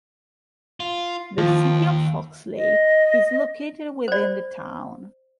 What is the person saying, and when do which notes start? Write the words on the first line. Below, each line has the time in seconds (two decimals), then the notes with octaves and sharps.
The City of Fox Lake is located within the town.
0.80 F4
1.38 D#2 F3
2.57 D#5
4.08 C5 D5